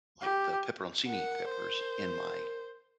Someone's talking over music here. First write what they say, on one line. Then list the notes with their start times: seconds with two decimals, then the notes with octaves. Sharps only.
like, the peperoncini peppers in my,
0.21 G4
1.07 A#4 F#5
1.50 C5